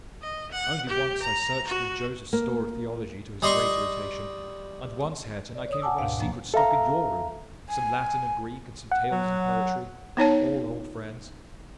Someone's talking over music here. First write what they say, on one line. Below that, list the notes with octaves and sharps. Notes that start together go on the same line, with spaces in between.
Only once, I searched through Joseph's store of theology, to his great irritation; and once, Hareton, I came upon a secret stock in your room--some Latin and Greek, and some tales and poetry: all old friends.
D#5
F#5
G4
A#5
F#4
A#3
G3 D#5 C6 C#6
D5
C#5 D#6
F#5 G#5 A5 D6 E6
D2 G#2 B2 F5
D#2 A2 F3 A#3
A4 E5 F5 A#5
G#5
F#5
F#3
B3 D#4 C#5 A5